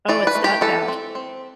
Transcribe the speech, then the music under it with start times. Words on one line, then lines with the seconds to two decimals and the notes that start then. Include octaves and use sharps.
Oh, it's that bad?
0.09 E3 D5
0.27 B4
0.35 A3
0.44 G4
0.61 E3 A4
0.88 C4
1.15 C4